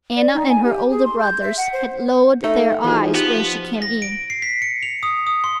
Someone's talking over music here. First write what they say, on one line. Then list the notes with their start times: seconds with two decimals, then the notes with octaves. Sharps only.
Anna and her older brothers had lowered their eyes when she came in.
0.16 D5
0.33 D#4
0.49 G#5
0.63 G4
0.90 G#4
1.05 C6
1.19 G6
1.41 E5
1.57 F#5
1.73 C5
2.44 A3 D#4 A4
2.84 E3 F3 D#4 F4 F#4 G#4
3.14 B3 G4
3.82 A#6
4.02 D7
4.30 C7
4.42 B6
4.62 C#7
4.83 F7
5.03 D#6
5.27 D#6
5.44 C6